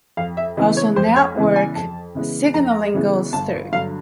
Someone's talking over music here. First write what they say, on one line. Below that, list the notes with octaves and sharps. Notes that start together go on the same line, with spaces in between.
Also network signaling goes through.
F2 F5
E5
C#3 E3 G#3 B3 D#5
C#5
F2 C5
C#5
C#3 E3 G#3 B3
G#5
F2 A5
C#3 E3 G#3 B3
F2 A#5
C#3 E3 G#3 B3
G1 A5
G2 D3 F#3 F5